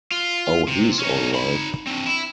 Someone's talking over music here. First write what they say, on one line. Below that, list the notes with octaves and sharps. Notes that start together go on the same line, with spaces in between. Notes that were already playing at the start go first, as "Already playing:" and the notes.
Oh, he's all right.
F4
C3
C#4 D#4
D#4 B5
C4 D4
E4